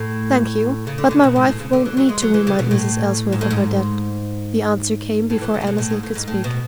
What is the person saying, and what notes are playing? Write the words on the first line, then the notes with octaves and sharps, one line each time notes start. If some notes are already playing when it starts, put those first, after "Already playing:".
"Thank you, but my wife won't need to remind Mrs. Ellsworth of her debt," the answer came before Annesley could speak.
Already playing: A2
C#3
D3
C#3
B2
G#2
A2
C#3
D3
E3
F#3
G#3
F#3
E3
C#3
B2
A2
G#2
A2
G#2
A2
E3
C#3
A2
B2
A2
G#2
A2
G#2
A2
B2